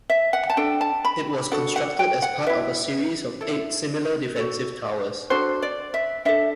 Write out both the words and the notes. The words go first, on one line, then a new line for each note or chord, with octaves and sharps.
It was constructed as part of a series of eight similar defensive towers.
E5
F#5
A5
D4 A4 G5
A5
B5
D4 F#4 A4 F#5
F#5
G5
F#5
E4 B4 E5
E4 A4
F#4 A4
D4 F#4 A4 C5
D5
E5
D4 A4 E5